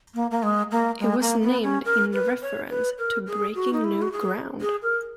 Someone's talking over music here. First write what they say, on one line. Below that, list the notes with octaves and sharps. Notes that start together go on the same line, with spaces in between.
It was named in reference to breaking new ground.
A#3
A#3
G#3
A#3
G#3
A#3
B3
C#4
A#4
B4
C#5
B4
A#4
G#4
F#4
D#4
E4
F#4
G#4
G#4
A#4